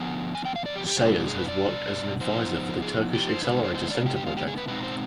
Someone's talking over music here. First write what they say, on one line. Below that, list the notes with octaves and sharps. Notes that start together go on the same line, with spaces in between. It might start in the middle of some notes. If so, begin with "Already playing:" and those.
Sayers has worked as an advisor for the Turkish Accelerator Center Project.
Already playing: D3 F3 B3 G#5
G#5
G5
F5
D5
G4
G4
B2 G3 D4
G#4
B4
D5
F3 B3 D#4 C5
G#4
G4
C5
D3 G#3 B3 D#4 B4
C5
C5
D5
G4
G4
F4
G4
G#4
B4
B2 G#3 C4 D#4 B4
C5